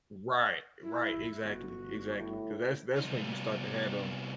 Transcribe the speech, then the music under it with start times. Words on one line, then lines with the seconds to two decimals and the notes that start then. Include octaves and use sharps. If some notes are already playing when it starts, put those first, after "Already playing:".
Right, right, exactly, exactly, 'cause that's that's when you start to have them,
0.81 E4
1.43 G1 F#4
2.16 A2
2.96 C2 D#4